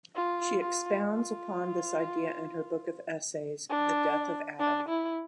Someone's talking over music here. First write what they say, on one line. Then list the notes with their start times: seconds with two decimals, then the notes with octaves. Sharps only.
She expounds upon this idea in her book of essays, The Death of Adam.
0.15 F4
0.59 F4
1.03 F4
3.69 D4
4.59 D4
4.88 E4